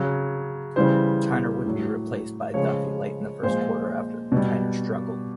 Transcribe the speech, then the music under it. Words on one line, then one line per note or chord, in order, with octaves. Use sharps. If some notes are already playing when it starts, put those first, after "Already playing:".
Tyner would be replaced by Duffey late in the first quarter after Tyner struggled.
Already playing: C#3 F#3
C#3 E3 G3 C5
A2 F#3
C#3 F3 G#3 C#5
A#2 F3 G#3 C5
B2 G3